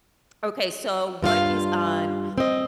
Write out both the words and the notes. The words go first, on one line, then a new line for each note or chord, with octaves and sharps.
Okay, so what is on
G2 F4 G#4 F5
C4 D#5